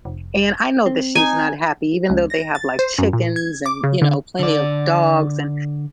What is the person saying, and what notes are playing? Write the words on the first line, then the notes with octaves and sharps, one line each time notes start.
and I know that she's not happy even though they have, like, chickens, and, you know, plenty of dogs, and
F1
C4
D#4 G#5
C#2
A#6
A6
C5
F#2
A#2
G#6
D6
C#3
D3
D3 D5